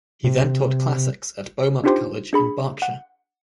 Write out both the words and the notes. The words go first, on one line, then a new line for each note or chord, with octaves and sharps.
He then taught classics at Beaumont College in Berkshire.
C3
D4 D#4 F4 G4 C5 C6
D4 G#4 B5
F#5